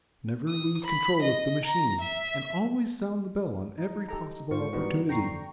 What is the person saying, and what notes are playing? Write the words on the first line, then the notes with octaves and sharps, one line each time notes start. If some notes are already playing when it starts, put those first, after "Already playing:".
Never lose control of the machine, and always sound the bell on every possible opportunity.
D#6
B5
D#5
A#5
E5
D#4
G4 A4 A#5
G#2 F4 C5 C#6
E3 G3 B3 D#4 F#4 A#4
F2 D3 G5 A#5 C#6 C7